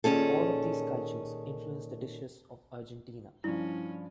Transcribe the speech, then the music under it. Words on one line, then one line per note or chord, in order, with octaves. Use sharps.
All of these cultures influenced the dishes of Argentina.
A#2 D#3 C#4 G#4 A4
G2 F3 C#4 E4